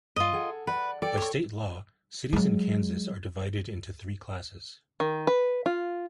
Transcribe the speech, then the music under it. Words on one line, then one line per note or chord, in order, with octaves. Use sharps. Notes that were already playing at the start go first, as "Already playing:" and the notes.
By State law, cities in Kansas are divided into three classes.
G2 F4 D#5
G#4 A4 F#5
B4 D5 F#5
A4 D5 G5
C#5 C#6
F#3 G#3
D#3
B4
F4